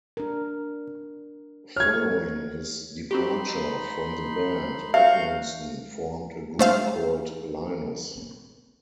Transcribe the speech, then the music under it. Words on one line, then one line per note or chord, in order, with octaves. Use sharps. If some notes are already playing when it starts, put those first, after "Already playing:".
Following his departure from the band, Edmonston formed a group called Linus.
D4 A#4
C#5 F6 G#6
C4 D#4 F#4 G4 B5 C6
F#4 E5 F5 C#6 G6
A3 C5 F5